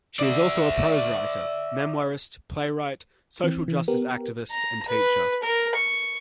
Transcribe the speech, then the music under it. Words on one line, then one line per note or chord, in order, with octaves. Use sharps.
She is also a prose writer, memoirist, playwright, social justice activist and teacher.
D5 E5
E3 C4
E3
B3 G4 A#4
A#5
B4
A#4
C#6